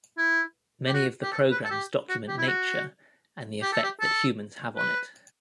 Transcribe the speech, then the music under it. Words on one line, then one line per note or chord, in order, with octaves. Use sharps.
Many of the programs document nature and the effect that humans have on it.
E4
G4
F#4
G4
A4
B4
A4
G4
F#4
G4
E4
F#4
G4
A4
G4
A4
B4